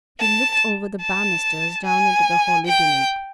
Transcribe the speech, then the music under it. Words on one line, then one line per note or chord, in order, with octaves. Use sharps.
He looked over the banisters down into the hollow beneath.
A5
A5
G#5
G5